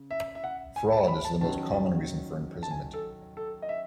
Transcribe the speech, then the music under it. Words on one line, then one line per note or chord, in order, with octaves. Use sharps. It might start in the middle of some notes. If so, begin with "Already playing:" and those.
Fraud is the most common reason for imprisonment.
Already playing: C#3
E5
E5
F#5
G#5
A5
B5
A5
D#3 F#3 C#4 A5
A5
G#5
A4
A4
D#5
E5